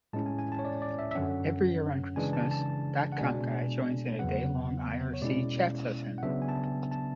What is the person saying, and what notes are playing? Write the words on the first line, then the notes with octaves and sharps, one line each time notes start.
Every year on Christmas DotComGuy joins in a day-long irc chat session.
A2 G#3 C#4 E4 A5
G#5
G#5
A5
C#5
D5
D5
E5
E5
F#2 D3 F#3 C#4 F#5
C#3 E3 G#3 D4 G#5
A5
A5
F#5
B2 G#3 D4 G#5
E2 C#3 F#3 B3 F#5
C#5
B2 G#3 C#4 E4 D5
F#5
C#3 F#3 B3 D4 E5
G#5
A5
A5